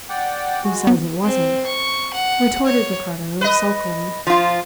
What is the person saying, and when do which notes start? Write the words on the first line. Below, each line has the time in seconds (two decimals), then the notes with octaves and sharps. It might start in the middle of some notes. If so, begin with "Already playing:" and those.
"Who says it wasn't?" retorted Ricardo sulkily.
0.09 D5 F#5 G5
0.64 G#3 F#4
0.87 B3
1.23 C4
1.66 C#6
2.14 F#5
2.66 C#5
3.41 B4 D#5
4.27 F3 F4